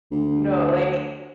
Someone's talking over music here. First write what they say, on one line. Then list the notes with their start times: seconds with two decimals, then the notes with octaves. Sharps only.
No, like
0.12 D2